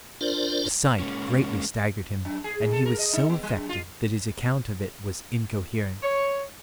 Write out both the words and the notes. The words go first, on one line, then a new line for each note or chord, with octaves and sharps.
The sight greatly staggered him, and he was so affected that his account of it was incoherent.
D4 F4 A#4 C5 D5
G#3 A#3 C#4
F#2
G#4
G#2
A4
A#4
D#5
D#4
B3
G3
F#2
F4
C#5